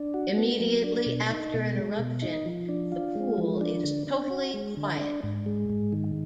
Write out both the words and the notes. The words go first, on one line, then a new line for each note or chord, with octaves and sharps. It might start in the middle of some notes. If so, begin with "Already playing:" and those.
Immediately after an eruption the pool is totally quiet.
Already playing: D4
F#4
B3
F#3
D4
B2
D#4
B2
G#3
B2
D#4
F3
D4
F4
G#3
F3
D4
D3
D4
F#4
G#3
D3
D4
G#2
G#3
G#2
D#3